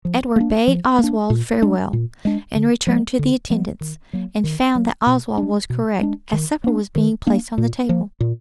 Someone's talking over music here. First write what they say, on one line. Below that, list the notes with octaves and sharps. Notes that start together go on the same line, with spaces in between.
Edward bade Oswald farewell, and returned to the intendant's, and found that Oswald was correct, as supper was being placed on the table.
F3
A#3 D4
F3
A#3
D4
A#2
G#3 D4
A#2
G#3 D4
D3
F3 G#3 B3
D3
F3 G#3 B3
D#3
F#3 A#3
D#3
F#3 A#3
B2
D4
G#3
B2
G#3 D4
D#3
A#3 D4
D#3
A#3 D4
A#2
F3 A#3
A#2